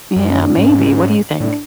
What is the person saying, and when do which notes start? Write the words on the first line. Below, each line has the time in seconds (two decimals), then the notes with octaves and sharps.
Yeah, maybe, what do you think?
0.16 F#2
0.29 C#4
0.43 D4
0.57 G#2 C#4
1.40 A2 D4